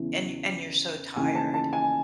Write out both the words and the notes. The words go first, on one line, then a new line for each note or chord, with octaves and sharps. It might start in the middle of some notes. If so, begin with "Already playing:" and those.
and and you're so tired,
Already playing: E2 C#3 E3
D#2 C#3 E3 G#5
A5
A5
G#5